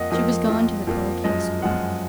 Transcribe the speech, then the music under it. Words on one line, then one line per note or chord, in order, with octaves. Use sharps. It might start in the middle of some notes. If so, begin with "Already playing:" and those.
She was gone to the parochial school.
Already playing: F2 F3 A#3 D#5 F#5
F2 F3 A#3 D#5
F2 F3 A#3
F2 F3 A#3
F#2 F3 G#3 D#5
F#2 F3 G#3 F#5